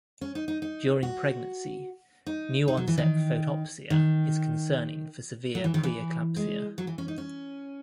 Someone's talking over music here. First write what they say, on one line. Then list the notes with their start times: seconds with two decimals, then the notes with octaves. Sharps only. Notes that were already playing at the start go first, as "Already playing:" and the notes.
During pregnancy, new-onset photopsia is concerning for severe preeclampsia.
0.21 C#4
0.35 D#4
0.48 D#4
0.62 D#4
1.03 F#4
2.26 D#4
2.68 D#4
2.77 F#3
2.88 E3
2.98 D#3
3.90 D#3
5.55 F#3
5.64 E3
5.74 D#3
5.83 E3
6.36 G#3
6.78 F#3
6.87 E3
6.98 C#4
7.08 D#4
7.18 C#4